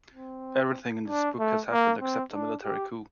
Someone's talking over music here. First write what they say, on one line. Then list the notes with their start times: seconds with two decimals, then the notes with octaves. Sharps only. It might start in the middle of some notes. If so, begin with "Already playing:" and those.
Everything in this book has happened except a military coup!
0.14 C4
1.08 D4
1.39 A3
1.71 A#3
2.01 C4
2.33 D4
2.64 G4